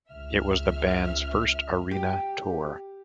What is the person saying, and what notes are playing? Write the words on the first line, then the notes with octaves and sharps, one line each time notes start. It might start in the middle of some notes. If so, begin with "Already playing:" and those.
It was the band's first arena tour.
C#2 E5 F6
G4